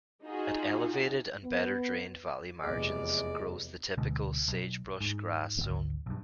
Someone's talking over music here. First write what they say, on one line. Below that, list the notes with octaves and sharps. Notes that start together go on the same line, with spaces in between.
At elevated and better-drained valley margins grows the typical sagebrush-grass zone.
D#4 F4 F#4 G#4
B3
F1 E2 G#3 D5
D2 B2 D3 G#3
B1
G#2
G#1 D2
B1 G2